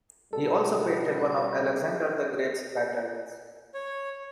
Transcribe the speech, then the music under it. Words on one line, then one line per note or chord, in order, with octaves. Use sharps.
He also painted one of Alexander the Great's battles.
B2 G3 A4
C#5